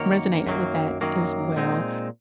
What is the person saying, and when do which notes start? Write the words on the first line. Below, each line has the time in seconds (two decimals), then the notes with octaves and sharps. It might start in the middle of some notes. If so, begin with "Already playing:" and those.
resonate with that as well.
Already playing: F#2 D#3 F#3 A#3 A#4 C#5
0.47 F#2 D#3 F#3 A#3
1.01 F#2 D#3 F#3 A#3
1.56 A#2 G#3 C4 D#4